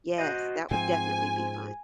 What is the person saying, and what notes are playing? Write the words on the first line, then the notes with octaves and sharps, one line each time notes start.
Yes, that would definitely be fun.
F#4 C5 D#5
G#2 F3 C4 G#5